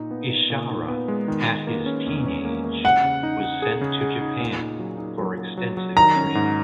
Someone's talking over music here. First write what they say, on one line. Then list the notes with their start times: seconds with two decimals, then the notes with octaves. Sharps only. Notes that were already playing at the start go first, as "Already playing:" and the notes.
Ishara at his teenage was sent to Japan for extensive training.
Already playing: A#2 D#4
0.11 B3
0.30 D#4
0.50 A#2
0.70 D#4
0.88 B3
1.08 G#3
1.28 D#3
1.47 D#3
1.67 A#3
1.86 C#4
2.06 E2
2.26 C#4
2.45 A#3
2.64 A#3
2.84 C#3 F#5
3.04 C#3
3.23 D#4
3.43 D#4
3.62 G#4
3.81 C#3
4.01 G#4
4.21 D#4
4.40 A#2
4.60 D#4
4.79 F#3
4.99 D#4
5.18 F#3
5.38 F#3
5.57 F#3
5.77 F#3
5.96 D#3 A#5
6.16 C#4
6.35 G#2